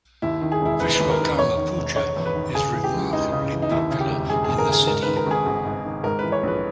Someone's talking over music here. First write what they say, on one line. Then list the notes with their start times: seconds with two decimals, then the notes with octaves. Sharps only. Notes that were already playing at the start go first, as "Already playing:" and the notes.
Vishwakarma Puja is remarkably popular in the city.
0.22 D#2 E4
0.41 D#3
0.52 G#4
0.61 E1 E4
0.80 E1 B4
0.95 B4
1.00 D#2
1.10 A#4
1.19 D#3 B4
1.39 E2 C#5
1.57 D#3
1.77 E1
1.96 E1 C#5
2.16 E2
2.25 B4
2.35 D#3
2.54 C#3 G#4
2.73 E3
2.84 G4
2.94 C#2
3.13 C#2 D#4
3.32 C#3
3.52 E3
3.62 D#4
3.70 D#2 E4
3.90 C#3
4.00 G4
4.09 E1
4.30 E1 G#4
4.44 D#2 G#4
4.58 A#4
4.69 C#3 G#4
4.87 G#2 A#4
5.02 D#3 B4
5.17 A#4
5.27 G#1 G#4
5.46 G#1
5.65 G#2
5.84 D#3
6.03 G#2 A#4
6.19 E3 B4
6.32 C#5
6.43 A#1 B4